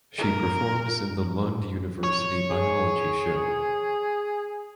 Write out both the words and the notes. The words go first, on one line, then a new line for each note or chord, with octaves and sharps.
She performs in the Lund University Biology Show.
A#4
C#5
G#4